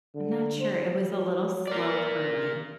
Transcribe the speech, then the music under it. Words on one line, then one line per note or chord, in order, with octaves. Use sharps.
I'm not sure. It was a little slow for me.
D3
C5
F#3
A#4 D5